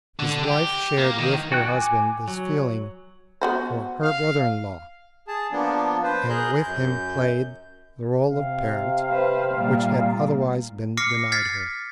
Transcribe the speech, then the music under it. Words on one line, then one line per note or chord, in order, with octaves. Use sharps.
His wife shared with her husband this feeling for her brother-in-law, and with him played the role of parent, which had otherwise been denied her.
D3
G4
A#3
D#3
F#4 G5 F#6
G#5 D6
F#3
B3 F#4 C5
F5
G#4 A5
F3 A#3 B3 D4
B4 C5
G#4 A#4 F#6 G6
F#2 G6
C3 F5
B4 C5
A#2 G3
D6 F6 A#6 C7 C#7
F6 G#6 A6 B6 C7